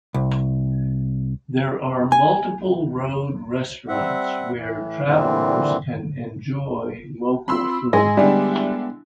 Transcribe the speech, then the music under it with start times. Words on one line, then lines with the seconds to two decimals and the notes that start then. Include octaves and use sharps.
There are multiple road restaurants where travelers can enjoy local foods.
0.14 C2
2.12 G#5
3.88 G3 C4 E5 F#5
4.55 A2 E3
5.04 A#2 D3 E3 G3 C4
7.48 C4 F4 B5 C6 E6
7.93 G#2 G#3 G#4 A#6
8.17 D3 G3 B3 D4 E4 G5